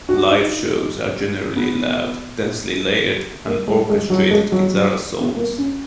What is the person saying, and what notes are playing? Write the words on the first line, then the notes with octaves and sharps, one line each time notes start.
Live shows are generally loud, densely layered and orchestrated guitar assaults.
F#4
D#4
B3
A#3
G#3
G#3
F#3
G#3
F#3
F#3
B3
A#3
C#4